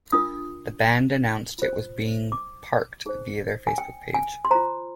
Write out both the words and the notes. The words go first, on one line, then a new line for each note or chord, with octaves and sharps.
The band announced it was being "parked" via their facebook page.
D4 F4 A#4 D#6
F4 C5
D6
D#4 G#4 C5
G#5
G5
G#5
C6
F4 C5 A#5